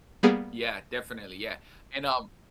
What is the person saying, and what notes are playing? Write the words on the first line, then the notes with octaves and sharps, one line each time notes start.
Yeah, definitely, yeah, and, um
G3 A#3 B3 G#4 D7